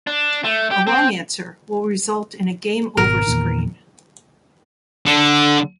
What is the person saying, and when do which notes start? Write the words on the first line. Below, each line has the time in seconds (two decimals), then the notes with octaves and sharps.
A wrong answer will result in a game over screen.
0.07 D4
0.44 A3
0.71 G4
0.87 C4
2.97 G#1 B2 A#4
3.27 E2 A#2 D#3
5.06 D3